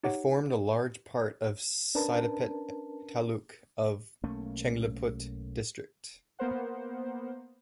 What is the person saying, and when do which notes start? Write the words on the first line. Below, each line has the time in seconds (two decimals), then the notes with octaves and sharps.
It formed a part of Saidapet taluk of Chengleput district.
0.03 D#4 G4 C#5 F#5
1.95 C#4 D4 A#4 B4 A5
4.24 B1 A3 A#3 C#4
6.39 A#3 B3 A#4 C5 F#5